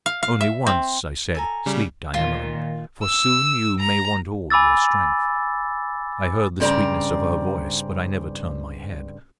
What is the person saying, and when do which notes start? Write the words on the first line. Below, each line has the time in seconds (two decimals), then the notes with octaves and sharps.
Only once I said, 'Sleep, Diamelen, for soon you may want all your strength.' I heard the sweetness of her voice, but I never turned my head.
0.06 F5
0.23 F5
0.41 E5
0.67 C4
1.35 A4 G#5 A#5
1.66 C#3 G3
2.14 A#2 D#3 F4
3.03 E6
3.79 A#5
4.50 G#5 B5 D6 E6 A6
6.60 G2 C#3 C4 D5 G#5 A#5